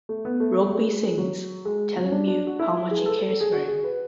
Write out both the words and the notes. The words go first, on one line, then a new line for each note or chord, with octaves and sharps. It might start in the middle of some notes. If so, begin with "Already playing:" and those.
Rugby sings, telling Mew how much he cares for him.
A3
B3
A3
A3
G#3
G#3
F#3
G#3
F#3
C#4
D4
D4
F#4
E4
G#4
B4
A4
A4
G#4
F#4
G#4
B4